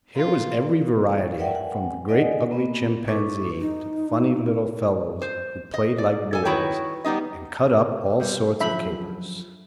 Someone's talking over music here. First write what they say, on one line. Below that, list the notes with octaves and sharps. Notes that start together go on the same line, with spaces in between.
Here was every variety, from the great ugly chimpanzee to the funny little fellows who played like boys, and cut up all sorts of capers.
F4
A#4 B4 D5 E5 F#5 G5
F#5 G#5
D#4 D5 D#5 F#5 G#5
A#3 B3
E4 A4 B4 C#6 D6
D#4
C5
D#5
D5
A4 G#5
D#3 E4 F#4 B4 C#5 G5
G3 B3 D#4 D#5
C3 G3
F#2 D3 F3 E5 B5